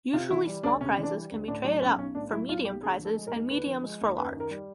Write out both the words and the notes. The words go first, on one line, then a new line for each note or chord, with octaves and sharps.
Usually small prizes can be traded up for medium prizes and mediums for large.
C3 F4
E3 E4
G3
D2 D4
C3 C#4
E3
D4
G3
D2
A2 D4
F#3 D4
B1 C#4
B1 C#4
A2 D4
F#3 E4
B1 F4
B1 G4
D3 G#4
F3
A4
G#3
A#4
D#2
D3 B4
F3
G#3
D#2
F#2 B4
D#3
A#4
G3